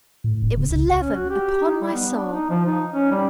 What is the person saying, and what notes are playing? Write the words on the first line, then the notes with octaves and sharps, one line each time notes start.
It was eleven, upon my soul!
A2
D#1
C#3
C#2
C#4
F#4
G4
D#4
G3
B3
D4
D#4
F3
D#4
C#4
G3